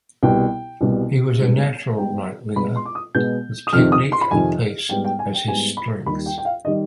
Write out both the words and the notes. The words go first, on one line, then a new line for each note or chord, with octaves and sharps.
He was a natural right winger, with technique and pace as his strengths.
C2 B2 G3 G5
C2 B2 G3
G#2 G3 B3
G#2 G3 B3 G5
B2 G#3 B3 B5
C6
D6
D#6
B2 G#3 B3 G6
D#6
F2 C3 D#3 F6
D#6
C6
B5
F2 C3 D#3 G#5
G#2 G3 B3 G5
G5
G#5
G5
G#2 G3 B3 G#5
B5
D#2 D#3 G3 B5
G5
G5
F5
D#3 G3 D#5